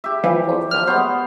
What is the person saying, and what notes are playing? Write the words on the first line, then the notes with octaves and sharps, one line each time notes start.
Poor fellow!
G4 E5
E3 F3
F6
B3 C5